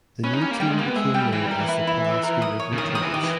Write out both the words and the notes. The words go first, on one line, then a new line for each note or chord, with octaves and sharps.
The new team became known as the Pulaski River Turtles.
C#4 B4
D#4
C#4 G4
A#3
G3 G5
G#3
A#3 G4
B3
G#3 E5
G3 G5
E3 G5
G3 A#4
E3
E4
E4
E5
A#4
D#6
C#5
C#3
D#3 D#6
D#3
D#6
E3
D#3 G4
E3